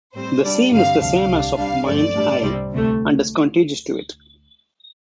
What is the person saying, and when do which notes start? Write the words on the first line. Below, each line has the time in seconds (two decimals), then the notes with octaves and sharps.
The seam is the same as of Mine-I and is contiguous to it.
0.14 A2 G3 C4 C5
0.43 C3 G3 D4 D5
0.71 G2 D3 G3 C4 F5
1.00 D2 C3 F3 D4 F5
1.29 C2 C3 G3 D4
1.57 C3 G3 D4 F5
1.85 G2 F3 A3 C4 D5
2.14 A2 G3 D4
2.42 C2 C3 G3 C4
2.71 D2 C3 A3